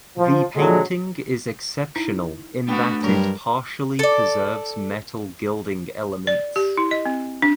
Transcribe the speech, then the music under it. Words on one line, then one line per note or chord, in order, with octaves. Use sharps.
The painting is exceptional in that it partially preserves metal gilding elements.
F3
A#2 D3 F#3 G#3 A4
D#4 E4
A3 B3 D4 F#4 G5
G2 F#3 G3 A#4
A4 D5
D5
G4
E4
D#5
C4
D4